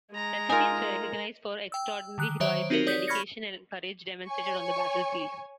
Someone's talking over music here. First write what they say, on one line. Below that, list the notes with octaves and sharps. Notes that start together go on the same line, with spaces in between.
Recipients were recognised for extraordinary heroism, dedication, and courage demonstrated on the battlefield.
G#3 A#5
D#4 F4 A#4 G#5
G5 E6
D3 D#3 F#6
D#3 F#3 C5 C#5 E5 D7
C4 D#4 F#4 G4 A#4
C#5 D5 D#6 G6 B6
B5 C#6 F6 G#6 A#6 C#7
C#5 G#5 C#6